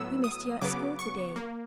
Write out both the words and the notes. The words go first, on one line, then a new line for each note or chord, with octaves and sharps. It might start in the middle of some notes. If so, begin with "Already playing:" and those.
"We missed you at school to-day."
Already playing: A2 F#3 B3 E6
D#6
C#3 F#3 B3 D6
C#6
A#3